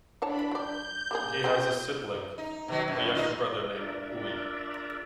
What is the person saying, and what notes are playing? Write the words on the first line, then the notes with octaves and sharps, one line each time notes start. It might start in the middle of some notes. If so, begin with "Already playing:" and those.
He has a sibling, a younger brother named Uwe.
E3 D4 C#5 A5 B5
F#3 D5 G6
G3 A#3 G#4
C#3 F3 C4
D#4
B2 D#3 F#3
F#2 B2
D#4 F4 D#5
D4 F4 A#4 D5 E5